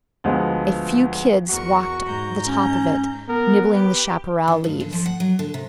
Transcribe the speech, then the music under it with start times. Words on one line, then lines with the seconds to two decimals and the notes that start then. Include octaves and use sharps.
A few kids walked the top of it, nibbling the chaparral leaves.
0.24 D2 F3 G#3 B3
1.50 E2 F#4 A#4 C#6
2.05 G#2 A#5 G6
2.47 C#4
3.28 B3 A#4
3.72 G4 B4
4.48 D#3
4.64 G2
4.80 D3
4.93 F3
5.06 F#5
5.20 F#3
5.39 D3
5.54 C3